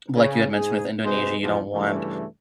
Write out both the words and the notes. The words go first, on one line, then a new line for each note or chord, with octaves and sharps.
like you had mentioned with Indonesia, you don't want
C#3
G#2 G#4
C3 G#3 F#4 B4 C5
E2 G2 B2 E3 F3
G2 C#3 E3 G3 A3